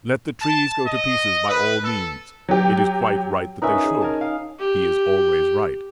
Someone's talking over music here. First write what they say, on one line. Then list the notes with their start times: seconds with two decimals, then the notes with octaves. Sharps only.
Let the trees go to pieces, by all means; it is quite right they should; he is always right.
0.40 A5
0.86 D#5
1.48 B4
1.84 A4
2.49 F#3 G4
3.62 C#4 D#4 A#4 B4 E5
3.84 G#4
4.01 A#4 G#5 A5
4.21 F5
4.60 G4